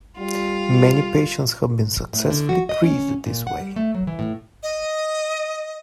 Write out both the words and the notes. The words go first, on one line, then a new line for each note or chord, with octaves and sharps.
Many patients have been successfully treated this way.
G3 F4
A2
D3
F#4
D#5
C#4
A#2
F#5
G3
A3
F#3
E3
A2
D#5